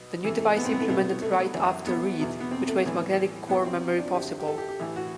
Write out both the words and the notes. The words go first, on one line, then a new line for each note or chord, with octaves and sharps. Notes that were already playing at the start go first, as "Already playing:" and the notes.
The new device implemented "write-after-read" which made magnetic core memory possible.
Already playing: B1 B2
E2 C3 E3 A3
A3
B3
C4
B3
A3
C2 B2 B3
A3
F#2 E3
B3
E2 B2
B3
C4
A3
B1 A2 E3
E2 C3 E3 B3
C4
D4
F#2 D3 G4
G4
A4
G4
G4
A1 A2 E3
F#4